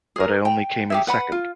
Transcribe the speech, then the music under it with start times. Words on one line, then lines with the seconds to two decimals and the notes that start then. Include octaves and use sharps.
But I only came in second.
0.16 G#4 A#4
0.45 G5
0.90 G4 G#4 E5
1.07 B4 F#5 B5
1.32 F4